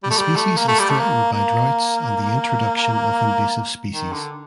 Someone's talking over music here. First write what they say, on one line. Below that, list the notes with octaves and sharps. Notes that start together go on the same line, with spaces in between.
The species is threatened by droughts and the introduction of invasive species.
G3
A3
G3
A3
A#3
A3
G3
A3
A#3
A#3
D#3
D3